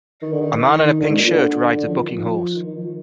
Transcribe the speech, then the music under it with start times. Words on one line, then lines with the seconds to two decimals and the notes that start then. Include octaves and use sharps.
A man in a pink shirt rides a bucking horse.
0.22 D#3
0.32 D3
0.41 D#3
0.60 D#3
1.00 D3
1.09 G#2
1.19 A#2
1.30 D3
1.78 D3
1.87 F3
1.97 D#3
2.07 F3
2.56 D#3
2.66 D#3
2.76 F3
2.85 D#3